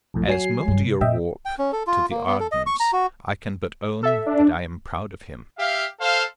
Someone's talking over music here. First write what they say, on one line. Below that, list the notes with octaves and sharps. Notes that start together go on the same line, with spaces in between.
"As Mouldierwarp to the Ardens I can but own that I am proud of him."
B1 F2 A2
F#3 G#5 C7
G2 G3
C3
A#2 D#5 E5 G5
G5
C#4
A4
F4
A#3
B3
A4
D#5
C#6
A#5
F#4
A4 E5
D4
G4 E5 F5
A4 C5 F5